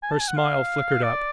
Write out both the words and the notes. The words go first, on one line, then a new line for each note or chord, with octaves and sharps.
Her smile flickered up.
G#5
A5
G#5
F#5
F5
D5